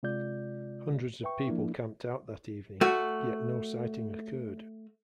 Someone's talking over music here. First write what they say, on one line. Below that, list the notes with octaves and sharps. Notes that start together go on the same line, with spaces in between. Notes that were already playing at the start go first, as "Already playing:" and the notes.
Hundreds of people camped out that evening yet no sighting occurred.
C3 G#3 F4 D5 G6
B4 E5 G5 C#6
F3 A#3 D4 E4
A3 F#4